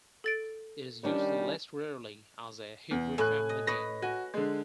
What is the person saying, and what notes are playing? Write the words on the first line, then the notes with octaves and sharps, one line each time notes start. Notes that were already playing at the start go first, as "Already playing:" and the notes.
It is used less rarely as a Hebrew family name.
A4 A6 D7
D#3 G3 C#4 D4
E2
A2 G#5 F#6
D#5
B4 C#5 D#5 A#6
F#4 G#5
D3 G#3